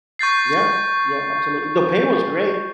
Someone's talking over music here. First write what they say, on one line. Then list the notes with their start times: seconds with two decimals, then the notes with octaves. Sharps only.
Yeah, yeah, absolutely, the pay was great,
0.19 C#6 G6 A6 C7